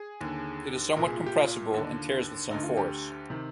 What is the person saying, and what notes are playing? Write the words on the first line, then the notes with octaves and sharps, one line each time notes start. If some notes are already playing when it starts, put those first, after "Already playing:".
It is somewhat compressible and tears with some force.
Already playing: G#4
D#2 D3
C2 A#2 A#4
G#4
F4
G4
F4
D#2 D3
D2 D3 D#4
F4
G4
C3 D#3